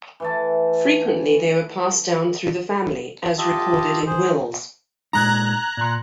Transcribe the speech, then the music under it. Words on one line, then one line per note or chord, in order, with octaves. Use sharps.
Frequently they were passed down through the family, as recorded in wills.
E3 A3 A5
F4 G4 D#5 E5 A5
G#4 C5
A#2 G#3 D#4 A#5 F#6 G#6
A#2 C6